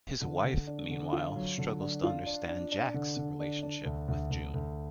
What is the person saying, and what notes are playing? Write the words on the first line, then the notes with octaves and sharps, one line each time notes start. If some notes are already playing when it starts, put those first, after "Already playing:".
His wife, meanwhile, struggles to understand Jack's relationship with June.
D3
D3
D4
D3
F4
F#3
D3
D4
F4
D4
D4
D4
D3
D3
D4
D4
D2
D2
D2
D2